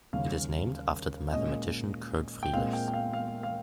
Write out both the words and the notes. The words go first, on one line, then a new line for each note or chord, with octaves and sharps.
It is named after the mathematician Kurt Friedrichs.
D#2 C#3 G3 C#4 F5
A#2 G#3 C#4 D#5
G5
A#2 G#3 C4 F5
G5
G5
F5
F5
F5